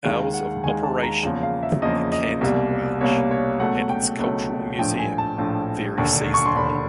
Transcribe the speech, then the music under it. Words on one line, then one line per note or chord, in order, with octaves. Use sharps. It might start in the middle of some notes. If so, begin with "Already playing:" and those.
Hours of operation for the Cant Ranch and its cultural museum vary seasonally.
D#2 D#3 G#3 F5
F#5
D#2 D#3 G#3 G#5
A5
A#5
E2 C#3 F3 A#3
F5
E5
E2 C#3 F3 A#3 D#5
D#5
C2 B2 G3 A#3
C2 B2 G3 A#3 C#5
C#5
C#2 B2 F#3 A3 F#5
G5
C#2 B2 F#3 A3
A#1 A2 F3 G5
G#5
A5
A#1 A2 F3
E1 D#2 D3
C#6
C6
E1 D#2 D3 B5